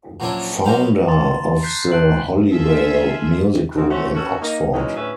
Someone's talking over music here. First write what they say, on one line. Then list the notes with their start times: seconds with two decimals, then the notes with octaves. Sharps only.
Founder of the Holywell Music Room in Oxford.
0.20 A#2 F3 F#3 C#4 D4 E4
0.64 F#3 A#3 B3 C5 F5 B5
1.07 A5 A#5 C6 A6 F7
1.62 F#6 G6 B6 C7 F7
1.92 A5 F#6 G6 D7 F#7
2.52 A#3 F4 G#4 A4 E5
3.77 C#3 C4 F#4
3.90 E3 A3 C4 C#4 F#4
4.15 C#4 F#4 A4
4.42 A#3 D#4
4.73 A#2 E3 F#3 G#3 C#4 D#4
4.95 D2 A2 C#4 G#4 B4 E5